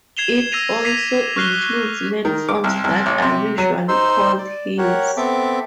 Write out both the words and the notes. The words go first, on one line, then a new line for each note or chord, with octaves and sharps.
It also includes landforms that are usually called hills.
G#6 C7 E7 F7 G7
E6 G#6 A#6 C7 D#7 F7
D6 B6 C7 D#7 F7
C#6 F6 F#6 C7 G7
D#3
D6
C2
C2
A1
C3
F#3
D#4 C5 C6 E6
D5
G4 A#4 C#5 F#5
B3 C4 A4 E5 D6